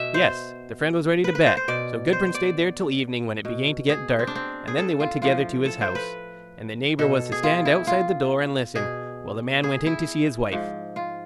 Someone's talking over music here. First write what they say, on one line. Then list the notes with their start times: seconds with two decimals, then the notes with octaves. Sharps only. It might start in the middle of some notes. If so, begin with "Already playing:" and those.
Yes! the friend was ready to bet; so Gudbrand stayed there till evening, when it began to get dark, and then they went together to his house, and the neighbour was to stand outside the door and listen, while the man went in to see his wife.
Already playing: B2 E5
0.14 C5
1.24 B4
1.35 B4
1.46 C5
1.57 C5
1.68 B2 D5
2.13 C5
2.34 D5
3.45 B2
3.89 G#4
4.19 C4
4.27 D4
4.35 C4
4.68 G#4
4.78 A4
5.00 F4
5.22 A2 F3 F4
5.65 A4
5.81 C5
5.95 B4
6.99 B2 A4
7.32 G#4
7.43 F4
7.65 E4
7.87 F4
8.75 B2 G#4
9.63 G#4
9.86 E4
10.52 G#2 F3
10.96 F4